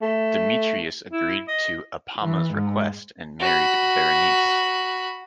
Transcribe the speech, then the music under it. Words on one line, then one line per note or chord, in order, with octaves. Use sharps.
Demetrius agreed to Apama's request and married Berenice.
A3
E4
D#5
E3
G#2
F#4 B5